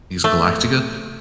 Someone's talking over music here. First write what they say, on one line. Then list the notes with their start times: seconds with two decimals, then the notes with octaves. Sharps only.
Is Galactica,
0.24 A3